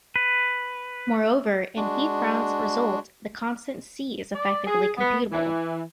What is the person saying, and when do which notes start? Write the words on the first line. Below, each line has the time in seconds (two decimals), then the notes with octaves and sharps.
Moreover, in Heath-Brown's result the constant "c" is effectively computable.
0.16 B4
1.77 G#3 D4 F#4
4.34 D5
4.67 G#4
4.98 B3
5.32 E3